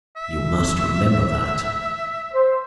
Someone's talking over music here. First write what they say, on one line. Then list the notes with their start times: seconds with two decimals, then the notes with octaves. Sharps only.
You must remember that....
0.16 E5
2.33 C5